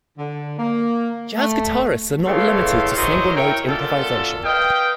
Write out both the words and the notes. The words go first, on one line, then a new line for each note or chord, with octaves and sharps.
Jazz guitarists are not limited to single note improvisation.
D3
A#3
A3
A2 C#3 E3 A4 F5 C6
E3 F#3 A#4 C5 C#5 D#5
E4 A#4 C#5 G5
F#2 A#2 F4 A4
B4 D#5 F5 G5